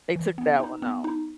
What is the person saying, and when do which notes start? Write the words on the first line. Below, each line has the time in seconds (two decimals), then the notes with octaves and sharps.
They took that one off.
0.16 E3
0.38 B3
0.60 D#4
0.82 B3
1.04 D#4